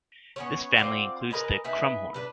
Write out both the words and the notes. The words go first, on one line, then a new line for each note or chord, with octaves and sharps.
This family includes the crumhorn.
B3 C#4 C#5
C4 F4 D5 F#5
A#4 B4 D#5 G#5
D#4 E4 B4 G#5
D4 B4